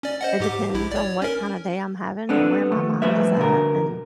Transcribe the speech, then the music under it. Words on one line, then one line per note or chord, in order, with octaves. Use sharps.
It depends on what kind of day I'm having and where my mind is at and,
C#4 D5
C5 D#5 F#5
G#2 G4 D6
A#1 E4
C#5 D5
C#4 A#4
B3 C4 D4 A4
D#2 A3
G2 F3 A3 B4 C5 E5
B2 D3 A#4